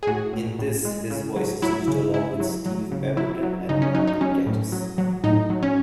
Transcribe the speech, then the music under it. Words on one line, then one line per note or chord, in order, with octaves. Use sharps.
In this, his voice is used along with Steve Pemberton and Mark Gatiss.
G#4
A2 F#4
A2
A2
G#3
C#3
F#3
F#3 E4
C#3
C#3 E4
F#3
F#3
C#3
F#3 E4
F#3
C#3 D#4
C#4
F#3 D#4
D#4
F#3 C#4
A2
F#3
F#3
A2 D#4
F#3
C#4